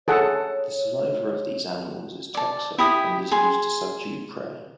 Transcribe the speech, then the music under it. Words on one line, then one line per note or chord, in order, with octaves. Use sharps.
The saliva of these animals is toxic and is used to subdue prey.
G#4 A4 C#5 F#5
D5 A5
E4 G4 D#6
G#4 C6